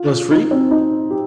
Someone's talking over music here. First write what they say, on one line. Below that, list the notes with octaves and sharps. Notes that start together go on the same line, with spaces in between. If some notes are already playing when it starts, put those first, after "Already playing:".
It was free?
Already playing: F4
F4
D#4
C4
D#4
G4